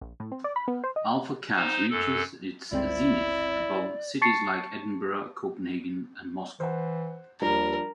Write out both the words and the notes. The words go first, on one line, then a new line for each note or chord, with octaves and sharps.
Alpha Cas reaches its zenith above cities like Edinburgh, Copenhagen and Moscow.
A#1
A2
C4
D5
B5
B3
C5
D#5
D#4 C5
F#2 A4
G1 C#2 C4 E4 D5
A5 C#6 A6 C7 C#7
E3 C5 F#5
D#2 F3 G3 D4 A#4